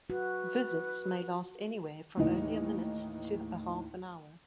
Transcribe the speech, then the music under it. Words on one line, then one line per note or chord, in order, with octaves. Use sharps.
Visits may last anywhere from only a minute to a half an hour.
F#4 B4
D#2 A2 E3 D#4